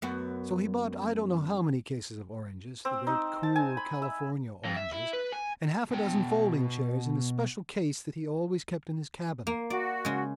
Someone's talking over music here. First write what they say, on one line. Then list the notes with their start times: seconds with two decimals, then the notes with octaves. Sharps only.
So he bought I don't know how many cases of oranges--the great cool California oranges, and half-a-dozen folding chairs in a special case that he always kept in his cabin.
0.02 F#2 B3 F#4
2.85 C4
3.07 D#4
3.43 A5
3.56 G#5
3.77 B5
4.02 E5
4.65 F2
4.76 E5
4.93 E4
5.13 B4
5.32 G#5
5.91 B2 G5
9.47 A#3
9.70 F#4 D5
10.05 C#3 G#3